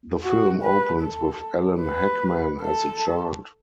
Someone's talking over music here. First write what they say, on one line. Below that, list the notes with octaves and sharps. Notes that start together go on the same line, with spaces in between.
The film opens with Alan Hakman as a child.
F#4
B4
A4
B4
A4